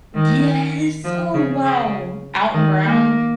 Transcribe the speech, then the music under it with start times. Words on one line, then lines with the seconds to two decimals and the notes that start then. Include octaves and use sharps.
Yes! Oh wow, Alton Brown.
0.14 D#3
1.04 F3
1.34 C#3
1.63 C#3
2.54 D#3
2.84 A#3